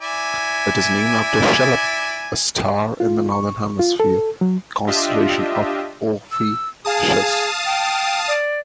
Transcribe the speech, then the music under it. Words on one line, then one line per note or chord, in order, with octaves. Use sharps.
It is named after Cheleb, a star in the northern hemisphere constellation of Ophiuchus.
E4 D5 G#5
F4
C#6
F4
A4
F#3
D4 F4 G4 D#5 E5
E6
G#4 F5 A5 D#6
G5
D5